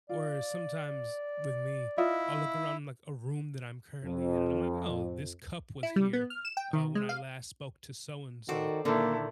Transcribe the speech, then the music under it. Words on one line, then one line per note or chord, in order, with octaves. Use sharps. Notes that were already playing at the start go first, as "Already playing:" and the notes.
Or sometimes, with me, I'll look around, like, a room that I'm currently in, and I'm like, "Oh, this cup was here, uh, when I last spoke to so-and-so"
F4 D5
E4 F4 D#5 E5
F2
E4
G3
B3
F6
E7
G5
D#3
G#3
F5
D#3 F#4 A4 C5 D5
A#2 D3 D#3 A#3 E4 A4